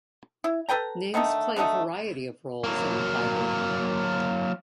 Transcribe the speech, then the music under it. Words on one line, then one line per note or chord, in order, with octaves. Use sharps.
Names play a variety of roles in the Bible.
E4
A4 B4 G5 A#5
D3 D#3 A3 D#4
D3 F#3 A3 D#4
F#3 A#3